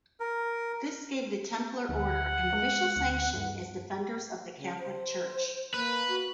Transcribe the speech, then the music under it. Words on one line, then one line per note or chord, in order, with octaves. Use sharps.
This gave the Templar Order an official sanction as defenders of the Catholic Church.
A#4
D2 F#5
G#3
D2
G2
C#3
C5
A#3 B4
F#4